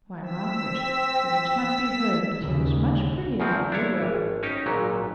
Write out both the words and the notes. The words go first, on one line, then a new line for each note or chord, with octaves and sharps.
'Why, Margaret, you must not be hurt, but he was much prettier than you were.
C4 E6 B6
D#2 C#3
E2 C#3 F3 C4
D4 E4 C#5
G#1
C#4 D#4 G4
G#1 A#2 F#3